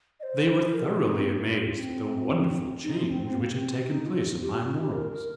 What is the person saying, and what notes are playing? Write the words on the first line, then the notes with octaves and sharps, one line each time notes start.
They were thoroughly amazed at the wonderful change which had taken place in my morals.
D#5
C5
A#4
G4
D#4
C4
A#3
D#4
F4
F4
C4
D#4
F4
C4
C4
A#3
C4
C4
D#4
F4
G4
F4
F4
G4
A#4
A#4